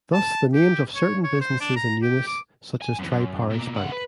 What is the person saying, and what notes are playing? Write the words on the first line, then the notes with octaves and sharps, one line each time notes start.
Thus the names of certain businesses in Eunice, such as Tri-Parish Bank.
A5
G4
C#5
C#5
C5
D4
A#5
G4
D6
G#5
F#2 E3
F#2
B2 A#3
C#2 F#5
B4